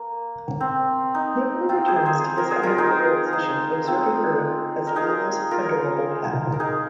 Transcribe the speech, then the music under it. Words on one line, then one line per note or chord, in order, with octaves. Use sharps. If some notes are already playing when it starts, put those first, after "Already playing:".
Nibbler returns to his undercover position observing Earth as Leela's adorable pet.
Already playing: A#3
C4
D#4
C4 F4
G#4 C5
G#4 C5
C5
A#4
G#4
F4 A#4
D#4 G#4
D#4
C4 F4
A#4
D#4 G#4
F4 A#4
A#4
D#4 G#4